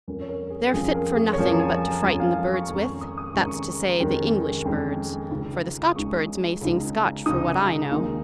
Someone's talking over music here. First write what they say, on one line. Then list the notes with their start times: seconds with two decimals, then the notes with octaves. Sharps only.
They're fit for nothing but to frighten the birds with--that's to say, the English birds, for the Scotch birds may sing Scotch for what I know.
0.08 F2 F3 C#4 A#4
0.21 C#5
0.29 A#4
0.50 G#4
0.73 F2 F3 C#4 G#4
0.94 A#4
1.16 G#4
1.33 C#5
1.37 F2 F3 C#4 A#4
1.52 A#5
1.59 G#5
2.03 F2 F3 C#4 G#5
2.20 F5
2.36 G#5
2.53 C#6
2.61 A#5
2.69 F2 D#3 G#3 C#4 C#6
2.85 C#6
3.01 D#6
3.18 D#6
3.34 F2 D#3 G#3 C#4 C#6
3.41 A#5
3.48 C#6
3.99 F2 D#3 G#3 C#4
4.65 F2 D#3 G#3 C#4
5.31 C#2 C#3 G#3 D#4
5.85 D#6
5.95 C#2 C#3 G#3 D#4 C#6
6.61 C#2 C#3 G#3 D#4
7.26 C#2 C#3 G#3 D#4 D#6
7.91 D#2 D#3 G#3 D#4